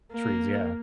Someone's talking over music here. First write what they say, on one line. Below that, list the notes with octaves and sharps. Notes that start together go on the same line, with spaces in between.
trees, yeah.
A#3